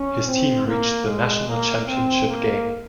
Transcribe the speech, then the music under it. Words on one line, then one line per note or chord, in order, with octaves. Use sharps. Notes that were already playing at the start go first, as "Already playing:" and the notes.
His team reached the national championship game.
Already playing: C#4
C4
A#3
G#3
A#3
C4
A#3